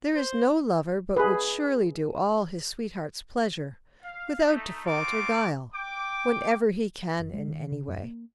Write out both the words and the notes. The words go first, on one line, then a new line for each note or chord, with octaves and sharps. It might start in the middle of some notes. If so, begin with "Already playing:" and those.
There is no lover but would surely do all his sweet-heart's pleasure without default or guile, whenever he can in any way.
C5
G#4 B4
F5
A3 D#4
C4 D#4 F4 C#6 D6
G5 D6
F#1
G#3
D#3
C#3
F#2
A#3